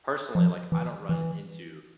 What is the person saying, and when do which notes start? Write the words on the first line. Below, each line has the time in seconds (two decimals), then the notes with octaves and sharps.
personally, like, I don't run into,
0.35 F3
0.72 E3
1.09 E3